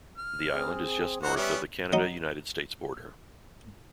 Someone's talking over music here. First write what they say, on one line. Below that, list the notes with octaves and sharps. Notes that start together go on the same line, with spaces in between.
The island is just north of the Canada-United States border.
F6
C4 G#4
F#2 D#4 F#4 C5 F#5
G3 B3 C#4 E5
F#3 D#4